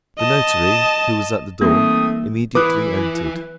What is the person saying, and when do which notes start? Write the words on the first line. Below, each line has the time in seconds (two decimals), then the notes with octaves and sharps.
The notary, who was at the door, immediately entered.
0.18 D#5 A5
1.61 E3 G3 A3 A#3 C4 D#4 D#6
2.55 E3 B4 D6 D#6 F#6